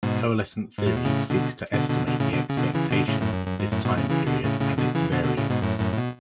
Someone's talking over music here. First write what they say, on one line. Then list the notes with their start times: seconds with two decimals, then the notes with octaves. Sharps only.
Coalescent theory seeks to estimate the expectation of this time period and its variance.
0.03 G#2 B2
0.78 G#2
0.86 A2
0.97 B2
1.05 A2 C#3
1.30 B2 D3
1.73 B2 D3
1.90 B2 D3
2.07 B2 D3
2.20 A2 C#3
2.32 B2 D3
2.50 C#3
2.57 B2 D3
2.74 C#3 E3
2.91 B2 D3
3.08 A2 C#3
3.21 F#2 A2
3.33 F#2
3.46 F#2
3.59 G#2
3.72 F#2 A2
3.85 G#2 B2
3.97 A2 C#3
4.10 C#3 E3
4.27 B2 D3
4.44 A2 C#3
4.60 A2 C#3
4.78 B2 D3
4.95 C#3 E3
5.12 B2 D3
5.24 B2 D3
5.37 A2 C#3
5.50 G#2 B2
5.62 F#2 A2
5.79 F#2 A2
5.93 A2
5.97 B2